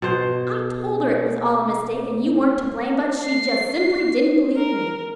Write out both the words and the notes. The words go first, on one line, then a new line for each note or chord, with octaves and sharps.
I told her it was all a mistake and you weren't to blame, but she just simply didn't believe me.
B2 C5
C7
A#4